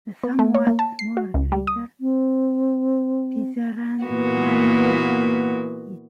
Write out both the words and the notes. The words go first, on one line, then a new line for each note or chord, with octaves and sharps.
The somewhat smaller crater Tisserand lies just to the east.
B3
A3
C#5
A#3
A5
C7
F#4
C#2
G3
D#6
C4
A#2 E3 A#3 B3 F#4